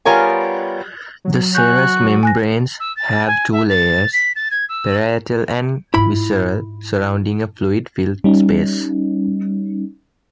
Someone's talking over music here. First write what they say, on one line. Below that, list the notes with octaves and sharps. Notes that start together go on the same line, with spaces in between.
The serous membranes have two layers, parietal and visceral, surrounding a fluid filled space.
G3 B3 F4 A#4 C#5 G#5
F#3
F#4 G#5 F#6 G6
G#5 F#6 A#6
E6
A6
G#5
E5
A6
B6
A6
G#6
E6
G#2 E4 F4 B5
G3 C#4 D#4